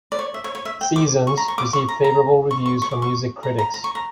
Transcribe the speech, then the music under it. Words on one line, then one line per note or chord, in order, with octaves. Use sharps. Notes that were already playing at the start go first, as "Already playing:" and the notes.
"Seasons" received favourable reviews from music critics.
D5
C#5
E5
C#5
C#5
E5
G5
D6
C#6
A#5
C#6
D6
C#6
A#5
A#5
C#6
C#6
C#6
D6
C#6
A#5
A#5
A#5
C#6
A#5